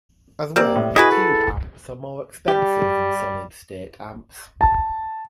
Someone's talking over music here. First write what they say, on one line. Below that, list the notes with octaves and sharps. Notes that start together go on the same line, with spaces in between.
As well, tube amps are more expensive than solid state amps.
G3 A#3 C4 D5
A2
E4 F#4 G#4 B4 D#5 G#5
A4
G3 G4
A5